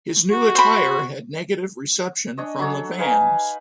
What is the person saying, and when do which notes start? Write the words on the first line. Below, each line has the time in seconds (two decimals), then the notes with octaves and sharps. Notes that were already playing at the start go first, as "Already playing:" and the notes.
His new attire had negative reception from the fans.
0.32 F#4
0.55 C5 B5
2.38 D4 C#5 D#5
2.59 F#3 D4 A4 C#5
2.98 D#4 B4 F5 G#5